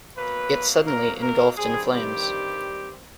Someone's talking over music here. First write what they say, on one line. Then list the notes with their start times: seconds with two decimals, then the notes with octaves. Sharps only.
It suddenly engulfed in flames.
0.16 B2 F#3 A#3 B4
0.87 A#4
1.22 A#4
1.57 G2 D#3 G3 C4 G#4
1.94 G4